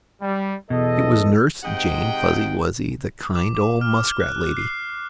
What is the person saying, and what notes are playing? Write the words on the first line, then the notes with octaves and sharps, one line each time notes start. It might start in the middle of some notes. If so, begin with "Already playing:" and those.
It was Nurse Jane Fuzzy-Wuzzy, the kind old muskrat lady.
G3
E2 B2 A4 D#5
G#2 C3 D#5 F#5 G5
D6
D6
F6
F#6
C7